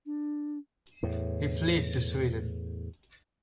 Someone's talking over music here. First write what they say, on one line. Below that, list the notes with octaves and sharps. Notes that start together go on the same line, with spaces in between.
He fled to Sweden.
D4
E2 A2